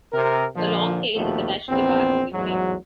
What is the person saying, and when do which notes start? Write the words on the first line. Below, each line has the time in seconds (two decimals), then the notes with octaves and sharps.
A long tail is attached to the back of the frame.
0.13 C3 A#4
0.55 A#2 D3 F3
1.15 A#1 D#2 B2 F3 A3
1.69 A#1 E2 B3 C4
2.33 A1 E2 G#2 F#3